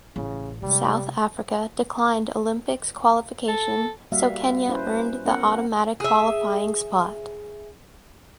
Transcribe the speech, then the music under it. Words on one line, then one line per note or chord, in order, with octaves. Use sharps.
South Africa declined Olympics qualification so Kenya earned the automatic qualifying spot.
A1 C#3
C3 G3 G#3
A4
G3 A#3 F#4 E5 F5
C#4 E4 B4 C5
B3 C#4 A#4 F#5
G#4 E5